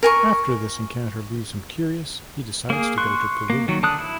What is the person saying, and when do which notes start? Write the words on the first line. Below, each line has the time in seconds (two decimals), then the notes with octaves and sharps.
After this encounter leaves him curious, he decides to go to Peru.
0.03 A#4 G#5 C#6
2.70 A#3 G#4
2.98 C6 C#6 F#6
3.50 A#3
3.68 D#3 F#3
3.83 D3 A5 D#6 F#6
3.98 E4